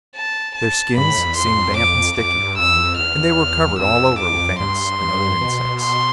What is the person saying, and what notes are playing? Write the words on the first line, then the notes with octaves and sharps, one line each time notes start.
Their skins seemed damp and sticky, and they were covered all over with ants and other insects.
A5
A5
G2 B5
A2
F2
E2
F2 C6
D6
F2 D6
G2
F2 E6
E2
F2
E2 F6
F2 E6
D6
G2 C6
B2
C6